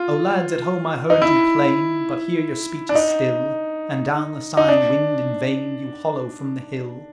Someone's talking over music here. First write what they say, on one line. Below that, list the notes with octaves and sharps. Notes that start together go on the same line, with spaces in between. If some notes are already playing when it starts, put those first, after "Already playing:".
Oh lads, at home I heard you plain, But here your speech is still, And down the sighing wind in vain You hollo from the hill.
Already playing: F4
D#4
E4
D4
D#4
D#4
D4